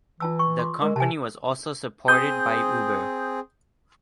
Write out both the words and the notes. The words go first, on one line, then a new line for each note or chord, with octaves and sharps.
The company was also supported by Uber.
E3 F4 A5 E6
C#6
F4 C6 D6
G#3 A#4
C3 G#5 A5
C4 G#4 D#6 G6